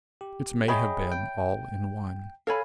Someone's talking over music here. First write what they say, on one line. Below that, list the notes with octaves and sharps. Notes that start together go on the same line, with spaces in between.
It may have been all in one.
G4
G#4 C#5 D#5 E5 G5 B5
G5
A4 C#5 F5 G#5 B5